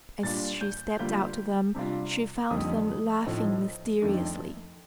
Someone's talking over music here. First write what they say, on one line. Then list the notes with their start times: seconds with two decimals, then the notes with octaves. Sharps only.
As she stepped out to them, she found them laughing mysteriously.
0.23 A#2 G3 D4 F4 A6
0.61 G6
0.99 D3 G3 A#3 F4 G6
1.75 C3 G3 D4 F4
2.50 F2 D3 G3 A#3 D#4 D#6
3.26 A2 F3 A3 C4 D#4
4.02 F2 D#3 A3 D4